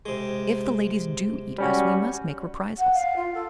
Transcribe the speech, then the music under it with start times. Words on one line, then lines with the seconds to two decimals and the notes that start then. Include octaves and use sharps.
"If the ladies do eat us we must make reprisals."
0.06 C3 G#3
1.58 G3 C#4 F#4
2.78 F#5
2.94 F5
3.16 F4
3.34 A4